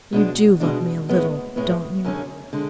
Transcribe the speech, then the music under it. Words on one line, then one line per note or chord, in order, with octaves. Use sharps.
You do love me a little, don't you?
B2 G#3 D4
B2 G#3 D4
A2 G#3 B3
A2 G#3 B3
F#2 D3 G#3 C#4
D3 G#3